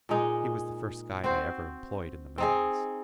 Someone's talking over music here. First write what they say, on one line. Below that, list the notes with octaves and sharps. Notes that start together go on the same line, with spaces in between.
He was the first guide I ever employed in the mountains.
A#2 G#3 D#4 G#4
C4 F#4 C5
C4 D#4 G#4